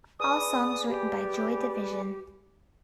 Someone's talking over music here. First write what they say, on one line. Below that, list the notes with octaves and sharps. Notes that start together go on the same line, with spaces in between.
All songs written by Joy Division.
G#4 B4 D5 D#6
G4